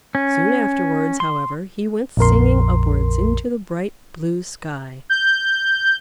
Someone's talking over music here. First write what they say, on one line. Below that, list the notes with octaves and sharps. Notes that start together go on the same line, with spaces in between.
Soon afterwards, however, he went singing upwards into the bright, blue sky.
C#4
C6
A#1 F2 A#4 C6
G6